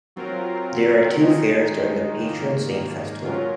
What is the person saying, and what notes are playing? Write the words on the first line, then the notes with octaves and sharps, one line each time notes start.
There are two fairs during the patron saint festival.
F#3 C4 F4 A#4
D#3 G#3 D#4
G#2 D#3 A#3
A#2 F#3 C#4 F4 A#4